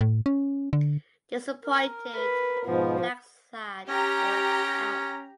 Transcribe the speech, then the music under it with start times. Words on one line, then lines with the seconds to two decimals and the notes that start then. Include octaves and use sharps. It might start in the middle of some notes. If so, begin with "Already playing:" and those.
Disappointed, Blacksad walks out.
0.01 A2
0.26 C#4
0.73 D3
1.64 A#4
2.16 B4
2.66 G#2 B2 F3 B3
3.89 C#4 G4 A#5